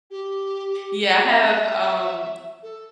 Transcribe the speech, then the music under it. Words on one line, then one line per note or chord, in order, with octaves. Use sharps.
yeah, I have, um,
G4
G#4
E5
A4